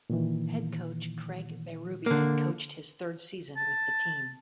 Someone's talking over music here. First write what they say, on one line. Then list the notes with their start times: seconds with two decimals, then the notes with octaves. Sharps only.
Head coach Craig Berube coached his third season with the team.
0.10 A#2 D#3 E3
2.06 D3 A#3
3.57 A5